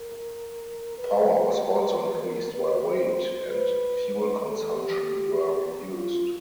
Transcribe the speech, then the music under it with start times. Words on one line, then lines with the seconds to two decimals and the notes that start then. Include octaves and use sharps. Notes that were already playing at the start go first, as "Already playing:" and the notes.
Power was also increased while weight and fuel consumption were reduced.
Already playing: A#4
0.98 B4
1.60 B4
2.23 A#4
2.54 B4
2.85 C5
3.48 B4
4.10 B4
4.41 A4
4.73 G4
5.97 F4